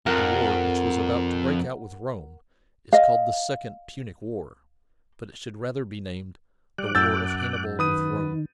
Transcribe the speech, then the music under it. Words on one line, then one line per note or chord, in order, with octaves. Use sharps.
The war which was about to break out with Rome is called the second Punic war, but it should rather be named the war of Hannibal with Rome.
F2 A#4 F#5
D#5 F5
G3 D6 F#6
F#2 E6 G6 A6
D#3 B4 D#6 D#7